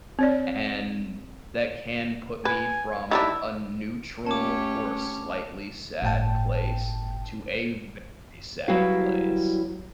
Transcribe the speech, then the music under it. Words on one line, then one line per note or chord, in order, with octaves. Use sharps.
and that can put me from a neutral or slightly sad place to a very sad place.
C4 C#5 D5
B4 G#5
D#3 G3 D4 E4
A3 C#4 G4 C#5 A5 D6
G1 A2 G5 A5
F#3 G3 B3 E4 F#4 F5